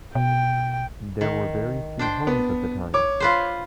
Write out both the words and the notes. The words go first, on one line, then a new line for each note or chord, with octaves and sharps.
There were very few homes at the time.
B2 G5
D#3
D4 C5 G5
B3
C#5 D6
F4 B4 C5